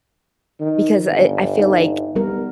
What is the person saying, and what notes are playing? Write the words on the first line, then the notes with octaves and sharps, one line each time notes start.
because, uh, eh, I feel, like,
D#3
G1
D#4
G3 B3 A#4